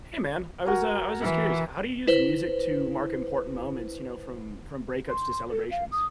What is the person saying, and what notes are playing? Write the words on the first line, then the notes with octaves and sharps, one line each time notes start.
Hey, man. I was, uh, I was just curious, how do you use music to mark important moments, you know, from from breakups to celebrations?
F#4 A#4 G#5
E3
E4 B4 C5
C6
A4
F5
D#6